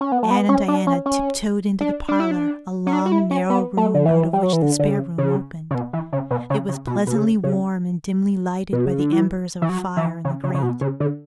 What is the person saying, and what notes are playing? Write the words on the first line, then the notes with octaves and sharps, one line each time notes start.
Anne and Diana tiptoed into the parlor, a long narrow room out of which the spare room opened. It was pleasantly warm and dimly lighted by the embers of a fire in the grate.
C#4
B3
A3
B3
C#4
D4
C#4
C#4
D4
D4
E4
D4
C#4
D4
F#4
E4
C#4
B3
A3
D3
E3
G3
F#3
E3
D3
D3
C#3
C#3
C#3
B2
E3
C#3
B2
C#3
C#3
B2
B2
C#3
C#3
B2
C#3
D3
E3
E3
F#3
E3
C#3
C#3
C#3
B2
C#3
D3